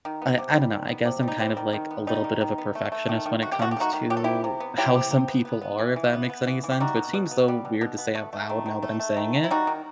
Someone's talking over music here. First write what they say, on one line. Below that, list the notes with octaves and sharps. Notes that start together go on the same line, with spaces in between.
I I don't know. I guess I'm kind of, like, a little bit of a perfectionist when it comes to how some people are, if that makes any sense. But seems so weird to say out loud now that I'm saying it.
D#3
B3
C3
G3
D#3
B3
C3
G3 D#4
G3 C4
D#3
D#3
B3
G3 D#4
D#3
D#3
B3
A3
A3
D#3
D#3
A3 F#4
G4
A3 F#4
G4
D#3 D#4 F#4
D#3
F#3 G4
A4
C3 E4 G4
C3
B3
F#3 E4 G4
C3
C3
B3
B3
B3
E3
E3
B3
B3
E3
E3
G4
G3 D#4 F#4
B2
B2
B3
G3
B2
B2
B3
A3
A3
D#3
D#3
A3
A3
D#3
D#3
E4
G3 D#4 F#4
D#3